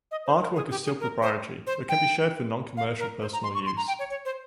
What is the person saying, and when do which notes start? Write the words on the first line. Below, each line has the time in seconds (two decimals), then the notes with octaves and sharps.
Artwork is still proprietary but can be shared for non-commercial, personal use.
0.11 D#5
0.26 C5
0.41 A#4
0.56 G#4
0.71 G4
0.85 G#4
1.00 A#4
1.22 C5
1.67 C5
1.89 G5
2.77 F5
2.99 A#4
3.22 C5
3.33 A#5
3.43 C6
3.55 C#6
3.66 C6
3.77 A#5
3.88 G5
3.99 C#5
4.10 C#5
4.25 C5